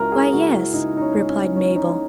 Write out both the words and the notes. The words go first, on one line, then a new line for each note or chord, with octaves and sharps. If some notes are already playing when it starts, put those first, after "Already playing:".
"Why, yes," replied Mabel.
Already playing: C#2 C#3 E3 E4 F#4 A#4
G#4
C#2 F#4
E4
C#2 D#4
D#4
C#4
C#2
C#4
E3 C#4
D#4